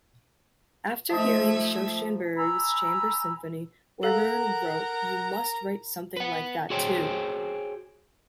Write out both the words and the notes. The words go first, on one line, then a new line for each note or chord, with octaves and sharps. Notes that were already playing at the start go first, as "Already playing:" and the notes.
After hearing Schoenberg's Chamber Symphony, Webern wrote You must write something like that, too!
F3 A3 D#4 E5 G#6
G#5 A#5 B5 E6
A4 A#4 F5 F#5 A#5
B4 F#5
F#4 G#4 C5 C#5 G5